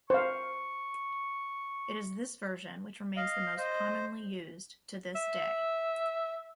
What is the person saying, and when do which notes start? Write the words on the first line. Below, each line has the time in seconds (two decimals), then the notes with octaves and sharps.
It is this version which remains the most commonly used to this day.
0.10 C5 F5 C#6
3.17 D#5 F5
3.58 C5 D#5
5.16 E5